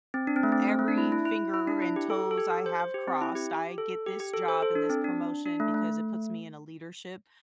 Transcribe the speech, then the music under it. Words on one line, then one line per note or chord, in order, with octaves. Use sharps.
th every finger and toes I have crossed, I get this job and this promotion, because it puts me in a leadership,
C4
D4
C4
A3
C4
C4
A3
D4
E4
E4
E4
E4
D4
E4
G4
A4
A4
G4
C5
C5
G4
C4
E4
G4
A4
G4
G4
A4
C5
A4
D4
C4
D4
D4
A3
A3